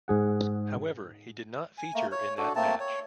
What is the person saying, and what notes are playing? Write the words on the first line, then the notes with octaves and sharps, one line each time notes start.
However he did not feature in that match.
G#2 G#4 F#5
G#5
A3 A#3
C#5
D4 F#4 A4
A3 A#3 C4 A5
C#5